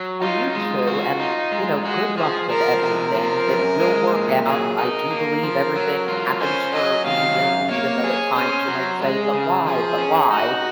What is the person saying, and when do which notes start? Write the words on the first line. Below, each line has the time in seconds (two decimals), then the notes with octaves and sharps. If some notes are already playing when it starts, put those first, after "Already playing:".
Well, you too, and you know, good luck with everything, it will work out. I do believe everything happens for a reason, even though at times you might say, "But why? But why?"
Already playing: F#3
0.22 D#4 F4
0.55 G#3 F4
0.87 F#4
1.20 D#4
1.52 G#3
1.85 G#3 F#4
2.18 F3 G#4
2.49 F3 A#4
2.82 C3 A#4
3.15 F3
3.48 F#2
3.80 G#3
4.12 A#2
4.45 F#3 G#4
4.78 D#4 A#4
5.10 A#3
5.43 F3
5.76 F#3
6.08 F4
6.40 C#4 C5
6.73 F#3 D#5
7.05 D#3 F5
7.38 F#2
7.71 A#3 C#5
8.04 G#4
8.36 C#4 C5
8.68 F#3
9.01 G#3 G#4
9.34 C#3
9.66 F3 G#4
9.98 C#4
10.31 D#4 F#4